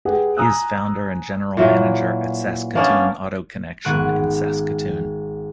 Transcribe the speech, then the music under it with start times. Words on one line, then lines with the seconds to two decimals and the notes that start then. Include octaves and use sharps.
He is founder and General Manager at "Saskatoon Auto Connection" in Saskatoon.
0.05 G4 G#4 B4 F#5
0.37 G#5 A#5 D#6 E6 F#6
1.57 A#2 E3 F#3
2.75 A#3 B3 C#4 D4
3.84 G#1 B3 C#6 F#6 D7 D#7